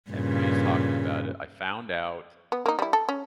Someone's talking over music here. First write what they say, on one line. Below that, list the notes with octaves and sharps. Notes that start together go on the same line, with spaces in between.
everybody's talking about it, I found out
G2 A#2 C#3
B3
A#3 D#4
G3 E4
A4
C#4